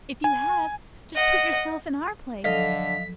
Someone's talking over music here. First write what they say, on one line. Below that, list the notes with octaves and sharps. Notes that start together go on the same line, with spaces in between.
If you have, just put yourself in our place.
G#5
D#5 F#5
D3 F3 F#3 A4 D#5 F5 B6